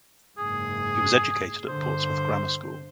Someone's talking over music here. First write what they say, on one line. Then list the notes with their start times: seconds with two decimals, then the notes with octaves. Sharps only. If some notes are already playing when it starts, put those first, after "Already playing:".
He was educated at Portsmouth Grammar School.
0.38 F#1 G#2 G#4
1.68 G2 D3 C5